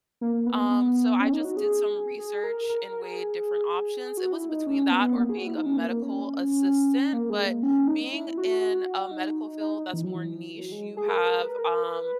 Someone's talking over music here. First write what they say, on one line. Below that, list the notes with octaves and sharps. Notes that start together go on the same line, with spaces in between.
um, so I just did some research and weighed different options. It was between that, or being a medical assistant, but being in a medical field that's more niche, you have, um,
A#3
B3
B3
C#4
D#4
F#4
G#4
G#4
A#4
A#4
A#4
G#4
F#4
E4
D#4
C#4
B3
A#3
G#4
F#4
E4
D#4
C#4
A#3
A#3
C#4
A#3
G#3
A#3
C#4
D#4
E4
F#4
F#4
D#4
D#4
D#4
E3
F#3
E3
F#3
G#3
G#4
A#4
A#4
B4
A#4
B4